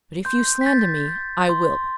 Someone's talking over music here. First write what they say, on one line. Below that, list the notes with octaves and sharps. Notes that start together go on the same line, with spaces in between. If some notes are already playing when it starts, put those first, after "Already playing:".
But if you slander me, I will.
C6 G6
B6
G6 A6
G6
C6